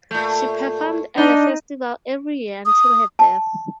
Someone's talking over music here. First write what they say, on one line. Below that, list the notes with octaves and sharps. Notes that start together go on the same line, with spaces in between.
She performed at the festival every year until her death.
A#2 A3
D4 D#4
D#6
A5